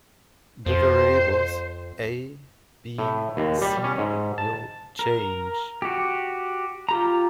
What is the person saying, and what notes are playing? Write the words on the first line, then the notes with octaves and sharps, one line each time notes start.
The variables "A, B, C" will change.
F2 C5
A2
D#2
G3
C#4
G#2
A5
A#4
F#4 G4
F4 G4 A#5